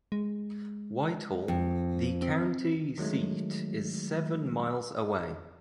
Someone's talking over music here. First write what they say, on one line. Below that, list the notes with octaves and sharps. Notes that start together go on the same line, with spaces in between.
Whitehall, the county seat, is seven miles away.
G#3
F2
C4
D#3 F#3 G#3 A3